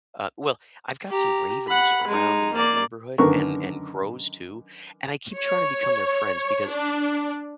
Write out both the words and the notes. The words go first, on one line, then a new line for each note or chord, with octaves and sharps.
Uh, well, I've got some ravens around in my neighborhood and and crows too, and I keep trying to become their friends, because
G4 A#5
F#5 B5
G#3 D#4
A#3 D5
F#2 D3 D#3 B3 A#4 C#6
C#5
D4